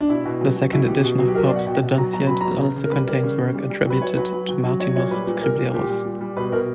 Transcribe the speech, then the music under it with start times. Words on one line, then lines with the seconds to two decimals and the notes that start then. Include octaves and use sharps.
The second edition of Pope's "The Dunciad" also contains work attributed to Martinus Scriblerus.
0.01 D4
0.09 B2 E4
0.25 B2
0.41 F#3
0.57 F#3
0.72 B2 E4
0.88 B2 G4
1.04 B2
1.19 F#3
1.28 G4
1.35 F#3 A#4
1.46 D5
1.51 B2
1.56 F#5
1.67 B2 G5
1.82 B2
1.98 F#3 A#5
2.13 B2 A#5
2.27 F#3 B5
2.41 B2 A#5
2.60 C#3
2.76 C#3
2.84 A#4
2.92 G3 B4
3.07 G3 A#4
3.23 C#3
3.39 C#3
3.54 G3
3.70 G3
3.86 F#3 B4
4.02 F#3 C#5
4.17 F#3 B4
4.33 F#3
4.49 F#3
4.64 F#3
4.80 F#3 C#5
4.96 A#2 C#5
5.11 G3 B4
5.27 A#2
5.43 G3 A#4
5.58 A#2
5.74 A#2 G4
5.90 G3
6.05 A#2
6.21 G3
6.37 B2 B4
6.52 B2 A#4